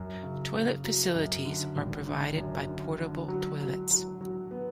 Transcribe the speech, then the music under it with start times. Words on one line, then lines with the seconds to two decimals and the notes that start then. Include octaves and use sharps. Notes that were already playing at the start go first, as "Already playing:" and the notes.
Toilet facilities are provided by portable toilets.
Already playing: F#2 F#3
0.23 C#3
0.54 C#3
0.84 F#3
1.15 F#2
1.45 D3
1.76 G#1
2.06 D3
2.37 F#2
2.68 D3
2.98 D3
3.28 F#3
3.60 F#3
3.91 F#3
4.21 F#3
4.51 B3